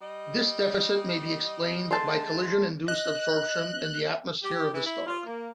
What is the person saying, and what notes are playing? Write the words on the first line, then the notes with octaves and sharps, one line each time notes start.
This deficit may be explained by collision-induced absorption in the atmosphere of the star.
G3 D#5
D3 G#3 A3 A5 C6
D#5 F#6
G4
E3
E4
F4
A#3